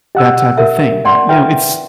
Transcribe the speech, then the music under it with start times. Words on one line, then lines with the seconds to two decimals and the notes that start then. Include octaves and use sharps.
that type of thing, that, you know, it's
0.15 G4 D#5 F#5 E6
0.58 A#4 E5
1.05 D5 F#5 C6
1.29 F4 B4 E5 G5